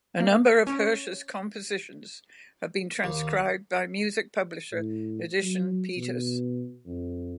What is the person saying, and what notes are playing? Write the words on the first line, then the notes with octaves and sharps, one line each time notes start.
A number of Hersch's compositions have been transcribed by music publisher Edition Peters.
A#3
C#4
D#2
A2
F#3
B2
F2